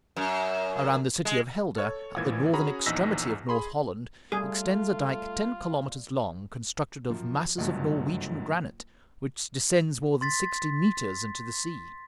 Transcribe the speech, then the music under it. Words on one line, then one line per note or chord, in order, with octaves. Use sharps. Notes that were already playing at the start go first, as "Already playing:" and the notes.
Around the city of Helder, at the northern extremity of North Holland, extends a dike ten kilometres long, constructed of masses of Norwegian granite, which descends more than sixty metres into the sea.
F#2
G#3
A4 C#5
G#1 A#2 E3 G#6
C#4 F#4 G#4 A#5 B5
A#1 E2 D#4 E6 A#6 B6
G#4 B5 C6
G3 A3 F4 G#4
F#2 F3
F#1 C#2 G2 D3 F#3
C6 A6 B6